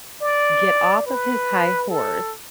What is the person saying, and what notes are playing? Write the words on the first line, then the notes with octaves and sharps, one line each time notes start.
get off of his high horse
D5
B4
A4